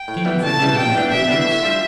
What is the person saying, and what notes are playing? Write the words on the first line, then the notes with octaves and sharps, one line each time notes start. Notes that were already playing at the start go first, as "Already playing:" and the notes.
'Can you forgive my imprudence?'
Already playing: G5
A2
E3 G3 B3
A2 A5
E3 G3 B3
F2 G5
E3 G3 B3 D4
F2 E5
E3 G3 B3 D4
A2
G3 D4 F4